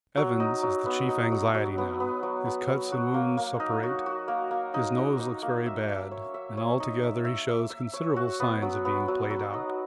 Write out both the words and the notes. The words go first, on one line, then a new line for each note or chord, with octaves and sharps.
Evans is the chief anxiety now; his cuts and wounds suppurate, his nose looks very bad, and altogether he shows considerable signs of being played out.
F#3
D#4
F#3
B3
D#4
F#3
F#3
B3
B3
F#3
B3
F#3
F#4
A#3
A#3
D#4
F#4
F#4
A#3
A#3
D#4
D#4
D#4
A#3
E5
E5
C#5
E5
C#5
D#4
E5
E5
E5
E5
C#5
F#4
B3
F#3
B3
F#3
F#3
D#4